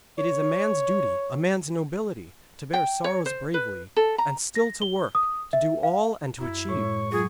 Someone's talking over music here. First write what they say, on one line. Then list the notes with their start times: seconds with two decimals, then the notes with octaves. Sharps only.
It is a man's duty, a man's nobility, to bear sorrows bravely, and still to work, to do all and to achieve.
0.19 C#5
2.73 G5
3.04 C#5
3.26 C5
3.54 B4
3.96 A4
4.18 A#5
4.55 A#6
4.82 G7
5.15 D#6
5.53 E5
5.83 F5
6.39 F#2 E4
6.69 A2 G#3 C#5 C#6
7.12 F#3 F4 G#4